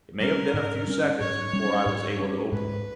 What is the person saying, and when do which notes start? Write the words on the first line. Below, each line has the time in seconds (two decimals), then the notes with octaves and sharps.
It may have been a few seconds before I was able to open them.
0.20 G3 C#4 A#4
0.54 G#2
0.87 G3 C#4
1.20 G#2 C#5
1.53 G3 C#4
1.86 G#2
2.19 G3 C#4
2.52 G#2 B4